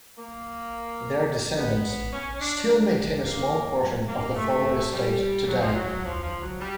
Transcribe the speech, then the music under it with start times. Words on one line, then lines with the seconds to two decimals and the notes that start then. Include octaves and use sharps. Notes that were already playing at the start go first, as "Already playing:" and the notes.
Their descendants still maintain a small portion of the former estate today.
0.17 A#3
1.57 B3
2.12 C#4
2.40 D4
2.68 D4
3.24 A#3
4.07 A#3
4.36 A3
4.92 G3
5.47 F#3
5.60 F3
5.74 F#3
6.04 F3
6.22 F3
6.40 F#3
6.59 G3